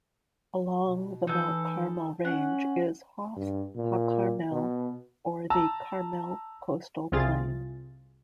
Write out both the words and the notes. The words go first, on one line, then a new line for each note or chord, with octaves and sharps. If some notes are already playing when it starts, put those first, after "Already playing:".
Along the Mount Carmel range is Hof HaCarmel, or the Carmel Coastal Plain.
B2
E3 D#4 A4 G6
C#4 F#5
G2
A#2
B2
A5 A#5 E6
C2 C3 F4 G#4 A6